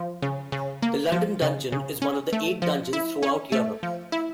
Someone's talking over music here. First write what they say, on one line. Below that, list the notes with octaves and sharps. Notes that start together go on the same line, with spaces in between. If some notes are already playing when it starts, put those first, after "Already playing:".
The London Dungeon is one of eight Dungeons throughout Europe.
Already playing: F3
C#3
C#3
A#3
F3
C#3
C#3
C#4
A3
F3
E4
C#4
A3
F3
E4